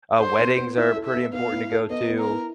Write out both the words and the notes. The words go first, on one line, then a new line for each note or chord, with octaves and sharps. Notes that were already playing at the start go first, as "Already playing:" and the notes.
uh, weddings are pretty important to go to.
A4 C5
B3
B3
E4 E5
A4
E5
B3
B3 F5
E4
A4
B3 D#5
B3
A#4
E4